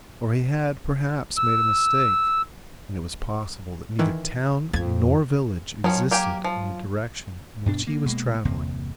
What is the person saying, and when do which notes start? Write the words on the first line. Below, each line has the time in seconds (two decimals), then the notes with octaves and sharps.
Or he had, perhaps, made a mistake, and it was possible that neither town nor village existed in the direction in which he was travelling.
1.37 E6
3.99 D#3 E3
4.73 F2 G#6 A6
5.84 D#3 F3 F#3 C#4
6.11 A#3 G4 G#5
6.44 F3
7.66 G2 B2 D4
7.87 A#3
8.06 B2 G#3 A#3
8.45 G1 E2 C3 A#3